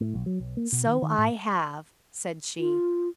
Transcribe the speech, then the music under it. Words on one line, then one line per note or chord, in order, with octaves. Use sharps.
"So I have," said she.
A2
B1
F#3
B1
A#3
B2
D#3
D#3
A2
F4